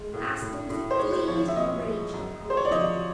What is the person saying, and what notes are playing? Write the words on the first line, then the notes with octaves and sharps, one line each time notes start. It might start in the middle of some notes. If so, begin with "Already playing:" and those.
"Blast those fleas!" he raged.
Already playing: G#3
A2
A2
A2
C5
G#3 C#5
C5
F3 C#5
E5
A#2 D#5
G#3
F#2
G#3
C5
C#5
D5
F3 D#5